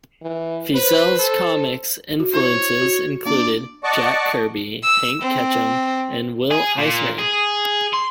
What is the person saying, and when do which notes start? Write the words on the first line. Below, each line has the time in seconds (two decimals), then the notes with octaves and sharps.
Feazell's comics influences included Jack Kirby, Hank Ketcham, and Will Eisner.
0.22 E3
0.73 B4 C5
1.19 A4
2.20 F#4
2.34 E4 C5 C#5 C#6
2.81 F#4
3.25 A#3 D4 D5
3.84 D5 D#5 F#5 A5 C#6 D6
4.83 E6
5.21 C4
6.51 G#4
6.78 A#2
7.18 G#4
7.93 C6